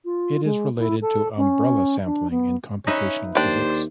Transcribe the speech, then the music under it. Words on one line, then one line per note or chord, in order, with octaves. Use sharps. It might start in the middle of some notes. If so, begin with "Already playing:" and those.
It is related to umbrella sampling in computational physics.
F4
G#3
E4
A4
C#4
D4
B3
C#4 D#4 B4 E5
D#2 D4 G4 C5